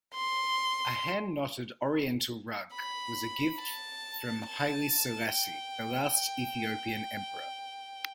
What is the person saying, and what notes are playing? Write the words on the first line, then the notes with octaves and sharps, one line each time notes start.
A hand-knotted oriental rug was a gift from Haile Selassie, the last Ethiopian emperor.
C6
B5
A5
A5
G5